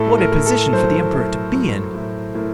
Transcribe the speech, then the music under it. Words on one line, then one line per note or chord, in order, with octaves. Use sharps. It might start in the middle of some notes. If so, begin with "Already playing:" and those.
What a position for the Emperor to be in!
Already playing: A2 A4
A#4
A2
A4
F#3 C5
A3
F#3
A2
A2 A#4